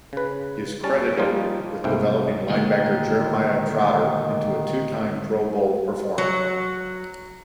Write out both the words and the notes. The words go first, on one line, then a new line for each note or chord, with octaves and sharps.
He is credited with developing linebacker Jeremiah Trotter into a two-time Pro Bowl performer.
C#3 B4
G3 C#4 A5
F3 G3 A#3 D#4 F4
C2 G#2 A3 A#3 G5
D2 A#2 D#3 G#3
F#3